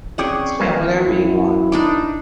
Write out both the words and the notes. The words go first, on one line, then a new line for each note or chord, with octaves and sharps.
Spend whatever you want.
C4 C#4 G#4 C#5 D5 F#5 G5
D#3 E3 A#3 C4
F#2 E4
D4 D#4 D5